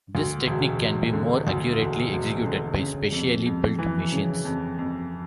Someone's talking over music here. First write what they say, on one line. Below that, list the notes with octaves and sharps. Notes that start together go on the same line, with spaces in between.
This technique can be more accurately executed by specially built machines.
D2
E1
E1
D3
D2
E1
E1
D3
C#3
F2
F2
E3
C#3
F2
F2